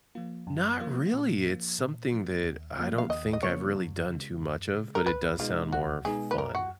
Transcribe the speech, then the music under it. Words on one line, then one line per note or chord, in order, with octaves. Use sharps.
Not really, it's something that I don't think I've really done too much of, but it does sound more fun.
F3 A#3 F4
F#2
F3 A#3 F4
A#2
F3 A#3
A#2
F3 A#3
D#2
C#3 F3 A#3
F5
D#2 D#5
D#5
C#3 F3 A#3 C#5
F#2
C#3 G#3
F#2
C#3 G#3
A#4
C#2 B4
B2 G#3 B3 D#4 F4
C#2 F#4
B2 G#3 B3 D#4 G#4
B4
F#2 A#4
F#4